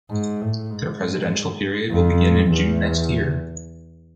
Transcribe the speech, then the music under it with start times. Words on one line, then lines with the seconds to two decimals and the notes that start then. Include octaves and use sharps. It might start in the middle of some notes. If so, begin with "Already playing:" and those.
Their presidential period will begin in June next year.
0.10 G#2
0.41 A2
0.71 G#2
1.92 F2
2.51 E2